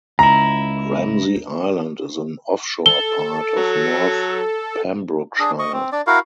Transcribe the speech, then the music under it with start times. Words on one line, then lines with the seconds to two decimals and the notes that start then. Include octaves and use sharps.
Ramsey Island is an offshore part of north Pembrokeshire.
0.19 C#2 E4 A#5
2.86 A4 G7
3.57 F#3
5.39 D4 G#4
5.59 D#5 C#6
5.73 C4
5.92 D4 D5
6.07 E4 F#4 A#4 F5